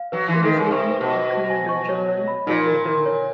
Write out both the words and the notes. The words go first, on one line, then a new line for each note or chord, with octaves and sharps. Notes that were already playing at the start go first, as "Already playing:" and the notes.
She was named for Commander John Bernadou.
Already playing: F5
F#3 B4
E3 C6
D#3
B4
C#3
C3 C#6
B4
B2
C#6
C5
G#5
C#6
C#5
C#5
B5
A#2 D#4
A#4
A#4
C#5